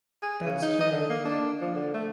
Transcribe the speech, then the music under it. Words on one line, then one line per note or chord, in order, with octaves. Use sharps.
That's true.
G#4
C#3
D#4
D#5
D3
A#3
D4
F3
D3
A3